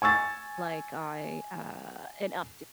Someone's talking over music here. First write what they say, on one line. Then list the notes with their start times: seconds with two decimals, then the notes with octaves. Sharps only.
like, I, uh an update.
0.02 G#5 C#6 E6 A6